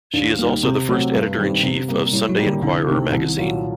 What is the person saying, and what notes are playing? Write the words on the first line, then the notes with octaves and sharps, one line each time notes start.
She is also the first editor in chief of Sunday Inquirer Magazine.
D#2 D4
D#3 G3 A#3
C3 C4
F#3 A3 C4 G4
G2
D#3 G3 C4
C3
G3 A#3
A2 G3
F#3
G3 A#3
D3
C2 D3
C3 D#3 A3 C4
C2 D#3
A#2 F#3